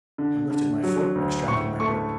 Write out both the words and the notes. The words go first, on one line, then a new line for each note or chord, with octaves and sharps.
I lifted my foot; extracted my dirk.
D3
D3
F#3
D2
A2 C#6
A3 C#6